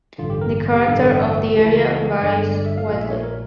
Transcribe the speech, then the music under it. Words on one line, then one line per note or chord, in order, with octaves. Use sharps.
The character of the area varies widely.
A1 G2 D3 F4
G4
A#4
G4
A1 G2 D3 A4
C#2 C#3 E3 G4
E4
F4
A4
G1 G2 D3 D5
D5
E5
F5
A#1 A#2 F5
E5
C#5
A#4